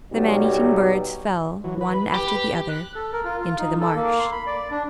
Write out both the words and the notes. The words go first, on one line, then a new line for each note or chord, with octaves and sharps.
The maneating birds fell, one after the other, into the marsh.
B1 F#3 G3
E3 F#3
B4
G4
F#6
A4
A#4
F4
F4
D#4
A4
A#3
C6
B5
D5
D4